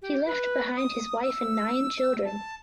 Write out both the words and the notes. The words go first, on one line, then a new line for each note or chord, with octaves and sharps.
He left behind his wife and nine children.
G4
B4
D#6
E6
A5